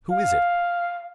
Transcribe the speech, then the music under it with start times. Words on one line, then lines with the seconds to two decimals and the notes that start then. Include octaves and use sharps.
"Who is it?"
0.11 F5